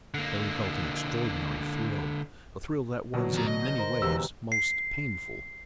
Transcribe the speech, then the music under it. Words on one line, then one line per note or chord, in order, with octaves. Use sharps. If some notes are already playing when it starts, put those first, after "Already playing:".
Harry felt an extraordinary thrill, a thrill that was, in many ways, most painful.
D3 A#3
B2 D3 F#3
F2 A#5
D#5
G6
A#4 C5
E1 G4 E6 B6
C7